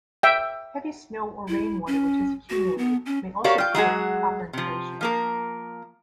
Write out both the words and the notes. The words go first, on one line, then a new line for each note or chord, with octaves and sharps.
Heavy snow or rainwater which has accumulated may also prevent proper inflation.
E5 G5
E4
C#4
F#4
B3
C#4
F#4 G4 A#4 C#5 D5 F5
F4 G5
F#3 G#3 F#4 G#4
C3 F3
F3 A#3 A#4